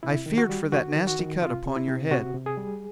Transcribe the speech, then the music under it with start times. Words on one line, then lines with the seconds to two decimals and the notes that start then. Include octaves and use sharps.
"I feared for that nasty cut upon your head."
0.03 C3 E4
0.26 D#3
0.38 F#4
0.49 G3
0.72 D#3 F#4
0.96 D#3
1.07 F#4
1.19 D#3
1.42 C3 F4
1.66 C3
1.76 E4
1.88 C3
2.11 C3 F#4
2.34 C3
2.46 G#4
2.57 G3